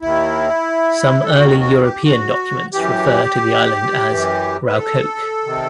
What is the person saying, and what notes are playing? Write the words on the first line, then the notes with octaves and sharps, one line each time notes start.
Some early European documents refer to the island as "Raukoke".
D#2 D#3 E4
A4
G4
D#2 D#3 F#4
F#4
G4
F#4
F#2 E3 G4
F#2 E3
B4
A4
C3 D#3